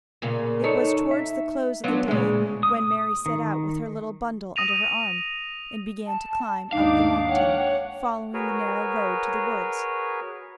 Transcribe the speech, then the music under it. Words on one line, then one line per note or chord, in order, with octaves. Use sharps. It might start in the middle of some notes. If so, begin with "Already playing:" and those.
It was towards the close of the day when Mary set out with her little bundle under her arm, and began to climb up the mountain, following the narrow road to the woods.
A#2 C#3 A#3
D#4 A4 C#5
E5
F#3 B3 D4 F4
D2 A#2 C#3 G#3
D#6
D#3
D#6 A#6 D#7 F7
A5
D#2 G#2 D4 D#4 F5 D6
C#5 F#5 G5
F#4 G#4 A#4 B4 C#5